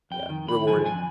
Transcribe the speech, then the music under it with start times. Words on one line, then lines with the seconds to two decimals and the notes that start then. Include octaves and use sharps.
yeah, rewarding.
0.11 F2 G5
0.30 D#3
0.48 F2 B5
0.67 D3 F3 G#5
0.85 F2 G#5